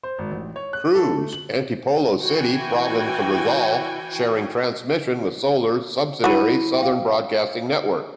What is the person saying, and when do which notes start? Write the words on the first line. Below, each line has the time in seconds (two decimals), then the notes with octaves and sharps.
Cruz, Antipolo City province of Rizal, sharing transmission with Solar's subsidiary, Southern Broadcasting Network.
0.03 C5
0.18 G#1
0.31 A1
0.56 C#5
0.73 F#6
0.95 A4
1.17 A3
1.33 F#7
2.22 E3 F#4 G5 G#5
6.24 F#3 E4 F#4 B5 D#7
6.78 F5 G5